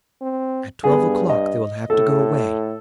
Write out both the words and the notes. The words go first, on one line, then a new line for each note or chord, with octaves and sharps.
At twelve o'clock they will have to go away.
C4
G2 B3 G#4
D#5
A2 A4